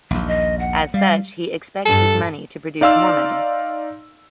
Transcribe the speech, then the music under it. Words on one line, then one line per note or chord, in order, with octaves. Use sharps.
As such, he expects his money to produce more money.
A#1 D#2 F#3
D#5
F#5
G3 F5
G2 A4
D#4 D5 F5 C6 E6